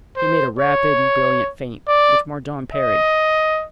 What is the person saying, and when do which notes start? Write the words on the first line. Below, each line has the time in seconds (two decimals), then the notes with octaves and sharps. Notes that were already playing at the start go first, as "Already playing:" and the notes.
He made a rapid and brilliant feint which Mordaunt parried.
0.17 C5
0.59 C#5
1.88 D5
2.75 D#5